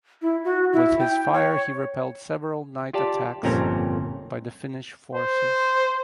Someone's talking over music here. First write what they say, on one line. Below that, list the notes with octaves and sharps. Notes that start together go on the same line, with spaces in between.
With his fire he repelled several night attacks by the Finnish forces.
E4
F#4
E4
G5
C#5
F4 G4 D5 A5
G1 F2 A#2 C4 C#4 A#5
C5